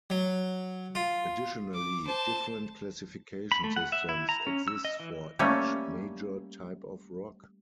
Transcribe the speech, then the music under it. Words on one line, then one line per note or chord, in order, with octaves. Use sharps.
Additionally, different classification systems exist for each major type of rock.
F#3
F4
D6
C5 A5
B5
A3
F#5
E5
E4
A#5
C#4
E6
D#5
E3
G3 A3 A#3 C#4